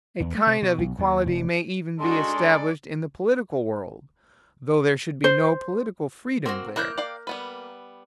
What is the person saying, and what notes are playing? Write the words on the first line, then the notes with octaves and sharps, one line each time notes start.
A kind of equality may even be established in the political world, though there should be no political freedom there.
E2
A3
C3
B2
B1
D#2
F1
G#3 D4 D#4 F#4 A4 C6
D5
C5
A#3 C4 D4 F#4
A#3 E4 A#4 F#6 G6
D5 F5 G5
G3 B3 B4